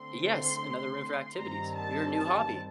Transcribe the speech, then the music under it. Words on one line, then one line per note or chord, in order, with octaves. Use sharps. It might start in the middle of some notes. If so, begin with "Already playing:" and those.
Yes. Another room for activities, your new hobby.
Already playing: D3 A3 C4 C6
G2 D#3 G3 C4 A#5
A5
A5